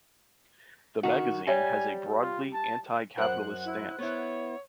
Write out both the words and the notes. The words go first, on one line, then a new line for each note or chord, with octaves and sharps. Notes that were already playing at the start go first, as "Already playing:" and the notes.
The magazine has a broadly anti-capitalist stance.
D#3 F#4
G3 C#5 E5 G#5
F4
A5
F#2 A#4 C5 F#5 B5 F#6
E4
B3 E4 C#5